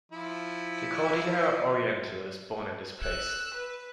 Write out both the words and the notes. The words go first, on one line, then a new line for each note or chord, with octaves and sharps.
The Cordillera Oriental is born in this place.
F3 E4
E6 F#6
B4